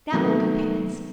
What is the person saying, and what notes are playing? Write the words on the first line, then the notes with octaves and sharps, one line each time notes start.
THAT will be penance.
C3 D#3 F#3 A3 B3